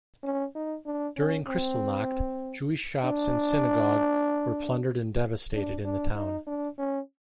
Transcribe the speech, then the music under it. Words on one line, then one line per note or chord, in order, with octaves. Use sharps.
During Kristallnacht, Jewish shops and synagogue were plundered and devastated in the town.
C#4
D#4
D4
C#4
C4
D4
D4
D4
D#4
D4
C#4